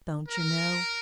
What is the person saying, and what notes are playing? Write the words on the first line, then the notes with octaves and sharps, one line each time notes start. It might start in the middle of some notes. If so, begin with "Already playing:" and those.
Don't you know?'
A#4